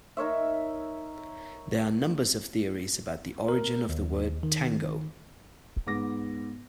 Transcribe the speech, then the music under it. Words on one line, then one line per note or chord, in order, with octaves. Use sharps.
There are numbers of theories about the origin of the word "tango".
D#4 A#4 C#5 E5
A#4
D#2
D#3
G#2 B3 D6 A#6